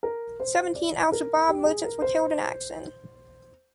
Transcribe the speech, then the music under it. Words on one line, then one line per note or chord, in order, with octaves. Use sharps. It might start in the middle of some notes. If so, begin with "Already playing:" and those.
Seventeen Al-Shabaab militants were killed in action.
A#4
C5
D5
A#4
G4
G#4
A#4
C5